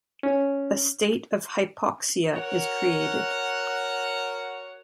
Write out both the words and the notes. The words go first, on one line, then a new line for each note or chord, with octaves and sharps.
A state of hypoxia is created.
C#4
F#4 A#4 C#5 F#5